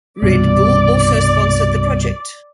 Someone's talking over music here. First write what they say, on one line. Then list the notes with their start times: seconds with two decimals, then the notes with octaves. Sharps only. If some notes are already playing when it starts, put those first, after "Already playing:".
Red Bull also sponsored the project.
0.23 C2 G2 B2 D5